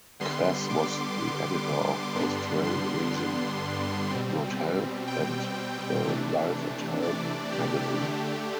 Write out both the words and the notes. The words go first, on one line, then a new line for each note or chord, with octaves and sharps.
Kress was the editor of "Australasian Good Health" and the "Life and Health" magazine.
D3 G3 B3 C6
D6
C6
D6
G2 D3 G3 B3 D4 C6
C6
B2 G3 C4
G5
C3 E3 A3 D4
D5
G4
D3 A3 D4